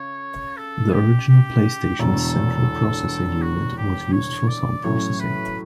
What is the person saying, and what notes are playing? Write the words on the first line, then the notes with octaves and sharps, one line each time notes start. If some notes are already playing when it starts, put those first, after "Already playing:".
The original PlayStation's central processing unit was used for sound processing.
Already playing: C#3 C#5
A4
G4
G4
E1 E2 D3 A4
F#4
G4
C#5
D5
A2 F#3 C#4 C#5
B4